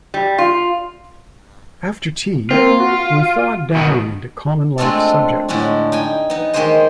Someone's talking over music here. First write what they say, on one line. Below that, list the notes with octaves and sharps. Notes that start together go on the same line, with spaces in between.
After tea we thawed down into common-life subjects.
G3
F4
A#3 C4 F4
F#4
B2 D#3
G#3 A3 C4 D4 F4 A4
A2 D3 G#3 C#4 D4
D#4 G5 G#5
B3 D#4
D#3 G#3 A#3 G4 C5 D#5